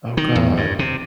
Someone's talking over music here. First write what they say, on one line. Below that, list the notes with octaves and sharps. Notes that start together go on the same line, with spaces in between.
Oh god.
D#3
E2
G2
C3